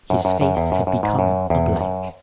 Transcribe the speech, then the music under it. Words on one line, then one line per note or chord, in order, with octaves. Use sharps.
His face had become a blank.
F#2
F#2
F#2
E2
F#2
F#2
G#2
F#2
E2
F#2